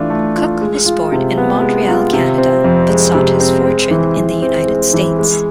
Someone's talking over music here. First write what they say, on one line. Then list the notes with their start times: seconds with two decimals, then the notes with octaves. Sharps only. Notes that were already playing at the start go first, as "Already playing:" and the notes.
Cooke was born in Montreal, Canada, but sought his fortune in the United States.
Already playing: E3 A3 D4 F4
0.10 A3
0.36 F4
0.61 G#3
0.86 F4
1.12 C3
1.38 B3
1.62 G#3
1.88 F4
2.13 C3
2.38 C4
2.64 F2
2.90 G#3
3.15 C3
3.40 C4
3.66 G#3
3.91 E3
4.17 E3
4.42 C4
4.68 G#3
4.94 E3
5.19 G#3